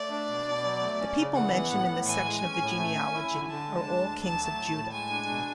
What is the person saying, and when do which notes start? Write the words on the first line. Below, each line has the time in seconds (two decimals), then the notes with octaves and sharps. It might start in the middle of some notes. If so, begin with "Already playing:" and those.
The people mentioned in this section of the genealogy are all Kings of Judah.
Already playing: A3 D5
0.10 D4
0.28 B2
0.46 B2
0.64 F#3
0.81 A3
1.00 C#4
1.17 C#3
1.35 E3 F#5
1.53 B3
1.71 A2
1.89 A2
2.06 E3 G#5
2.25 G#3
2.43 C#4
2.60 A2
2.78 A3
2.96 C#4
3.14 E4
3.32 D3
3.50 D3 A5
3.68 G#3
3.85 D4
4.03 D2
4.21 F#3 A5
4.39 A3
4.57 A2
4.75 A2
4.92 G#3 G#5
5.11 D4
5.28 B2